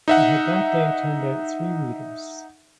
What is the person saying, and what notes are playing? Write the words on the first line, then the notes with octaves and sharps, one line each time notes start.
He had that day turned out three readers.
D#4 E5 F#5